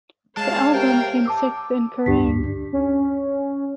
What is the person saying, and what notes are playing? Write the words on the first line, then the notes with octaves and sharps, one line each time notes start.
The album came sixth in Kerrang!
G#3 C#5 F5 A5
C3 A#4 G5
A5 D6 E6
D2 G2 D4 G4 B6
C#4